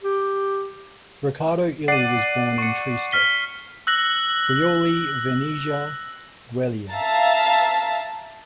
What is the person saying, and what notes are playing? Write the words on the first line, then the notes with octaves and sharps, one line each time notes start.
Riccardo Illy was born in Trieste, Friuli-Venezia Giulia.
G4
D5 F#5 C7 D#7
C#6 C#7
F6 B6 G7
E6 F#6 A#6 F#7
E5 F5 A5 A#5 A6